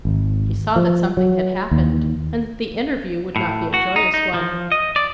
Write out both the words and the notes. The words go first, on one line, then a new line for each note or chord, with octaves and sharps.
He saw that something had happened, and that the interview would not be a joyous one.
G#1
F3
F#3
D#2
A2
F#4
D#4
D#4
F3
D#5
D5